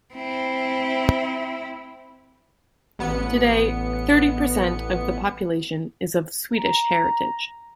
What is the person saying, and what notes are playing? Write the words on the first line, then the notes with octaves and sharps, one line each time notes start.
Today, thirty percent of the population is of Swedish heritage.
C4 E4
A1 B3 C#7
A#5